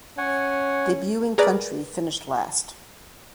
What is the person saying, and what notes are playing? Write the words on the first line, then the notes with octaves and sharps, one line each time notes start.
Debuting country finished last.
C#4 C#5 F#5 G#5
G#4 A#4 B4 D5